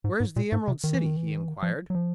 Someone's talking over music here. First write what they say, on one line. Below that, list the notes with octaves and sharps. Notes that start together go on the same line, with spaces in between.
"Where is the Emerald City?" he inquired.
G#2
G#2
A#2
G#2
C3
D#3
E3
D#3
E3
D#3
E3
D#3
F3
F#3
F3